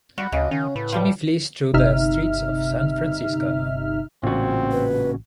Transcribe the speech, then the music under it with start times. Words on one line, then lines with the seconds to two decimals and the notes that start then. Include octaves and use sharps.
Jimmie flees through the streets of San Francisco.
0.18 G3 F#4 B5
0.32 D2 C#3 D#5
0.51 D#3 C#4
0.76 A2 B4
0.92 F3 G3
1.74 G1 C3 D#4 E5 F6
4.23 A1 A#2 C#3 C4 F#4
4.72 B4